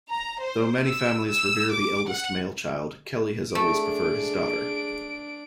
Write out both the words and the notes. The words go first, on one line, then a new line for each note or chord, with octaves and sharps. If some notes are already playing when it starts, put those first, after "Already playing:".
Though many families revere the eldest male child, Kelly has always preferred his daughter.
A#5
C5
E6
E6
D6
F#5
A3 D4 G#4 D7